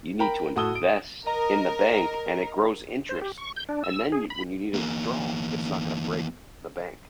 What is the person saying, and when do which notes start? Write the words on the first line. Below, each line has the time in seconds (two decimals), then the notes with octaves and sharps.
You need to invest in the bank, and it grows interest, and then you when you need to withdrawal, it's not gonna break the bank."
0.20 A#4 G5 A#5 B5
0.56 A2 F#4 A5 D#6 E6 G7
0.75 D7
1.26 A#4 D#5 A#5
3.09 C5
3.22 G4
3.38 C#6
3.56 G6
3.69 D4
3.84 E6
4.12 G#4
4.30 B5
4.74 E2 A#3